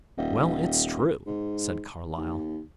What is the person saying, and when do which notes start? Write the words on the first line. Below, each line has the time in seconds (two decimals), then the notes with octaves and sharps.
"Well, it's true," said Carlyle.
0.18 D#1
1.26 G#2
2.17 D#2